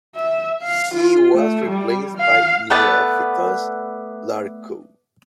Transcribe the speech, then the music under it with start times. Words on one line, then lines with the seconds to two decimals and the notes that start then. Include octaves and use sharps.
He was replaced by Neophytos Larkou.
0.15 E5
0.63 F5
0.94 F4
1.33 A3
1.69 G3
2.17 F5
2.70 A3 B3 B4 D5